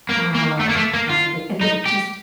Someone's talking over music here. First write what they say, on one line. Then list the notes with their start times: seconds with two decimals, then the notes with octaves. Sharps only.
Oh. Exactly. And then just
0.09 A#3
0.34 A#3
0.60 A3
0.69 A#3
0.77 A3
0.94 A#3
1.10 F4
1.61 D#4
1.86 G4